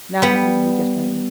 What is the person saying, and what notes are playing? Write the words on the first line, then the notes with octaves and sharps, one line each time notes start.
not for people who just wanna eat.
G3 B3